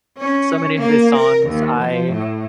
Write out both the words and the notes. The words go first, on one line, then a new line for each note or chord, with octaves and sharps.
So many of his songs, I
C#4
A#3
A#4
D#2
F3
A2